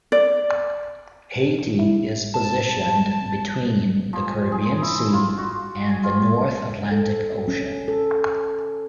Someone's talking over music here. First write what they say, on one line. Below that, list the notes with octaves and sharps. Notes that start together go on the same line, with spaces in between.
Haiti is positioned between the Caribbean Sea and the North Atlantic Ocean.
D5
E4
A5
F3
G#5
G#4
C5
E4
F4
F#4
G#5
F4
A4
C#4
A4